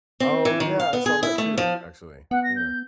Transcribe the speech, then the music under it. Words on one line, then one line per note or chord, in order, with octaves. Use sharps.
Oh, yeah. I saw that too, actually, yeah.
C4
E3
D#3
F5
B3
G#4
E4
A3
F3
B3 F#5
A#6
G6